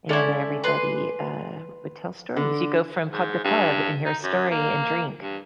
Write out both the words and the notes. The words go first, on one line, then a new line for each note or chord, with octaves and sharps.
and everybody, uh, would tell stories. You go from pub to pub and hear a story and drink.
G#3 C#4 E4 A4 D5
B4 C6
D3
G#2
G2
D#4
F#2
A#3
G2